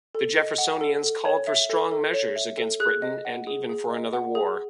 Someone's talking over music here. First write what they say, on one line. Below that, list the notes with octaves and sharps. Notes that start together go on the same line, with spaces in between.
The Jeffersonians called for strong measures against Britain, and even for another war.
A4
D#5
F#5
A4
A4
C#5
E5
A4
A4
C#5
E5
A4
G#4 F#6
D#5
F#5
G#4
G#4
D#5
F#5
G#4